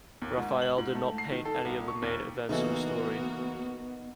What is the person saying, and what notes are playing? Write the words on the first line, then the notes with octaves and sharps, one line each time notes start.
Raphael did not paint any of the main events of the story.
D#2
G#2
F#7
G#2
A3
C7
D#3
A4
C2
C#6
D#2
C#3 E3 A#3 B3 D#4 F#4 A4